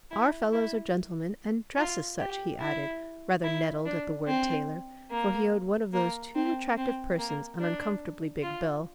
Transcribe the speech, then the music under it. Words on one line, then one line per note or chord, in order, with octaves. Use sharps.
Our fellows are gentlemen, and dress as such,' he added, rather nettled at the word 'tailor'; for he owed one of those too attractive persons an uncomfortably big bill.
E4
E4
F4
G4
E4
E4
D4
C4
A#3
A#3
C4
C4
A#3
D4
F4